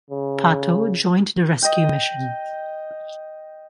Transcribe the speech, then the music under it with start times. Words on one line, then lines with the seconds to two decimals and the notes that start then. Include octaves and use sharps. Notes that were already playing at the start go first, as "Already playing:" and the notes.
Pato joined the rescue mission.
0.11 C#3
1.62 D#5 G5